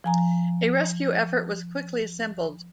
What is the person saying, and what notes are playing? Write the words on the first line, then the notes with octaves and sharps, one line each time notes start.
A rescue effort was quickly assembled.
F3 G#5 A#5